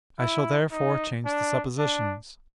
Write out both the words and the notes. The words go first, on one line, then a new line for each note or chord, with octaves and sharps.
I shall therefore change the suppositions.
E4
D#4
D4
D4